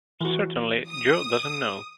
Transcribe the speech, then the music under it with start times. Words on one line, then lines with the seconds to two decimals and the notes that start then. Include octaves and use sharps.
Certainly Jo doesn't know.
0.21 E3 F#4
0.89 D#6